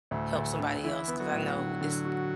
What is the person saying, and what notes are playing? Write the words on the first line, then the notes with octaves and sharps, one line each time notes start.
help somebody else- 'cause I know it's
D2 A2
D2
D3
E3 E4
B3
F#3
A2
D3
D3
F#4